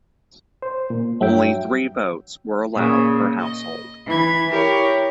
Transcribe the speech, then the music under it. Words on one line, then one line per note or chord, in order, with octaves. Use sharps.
Only three votes were allowed per household.
C5
A#2
G2 F#3 E5 G5
A#2 C#3
D#5
E3 G#6
E4 G4 A#4 C#5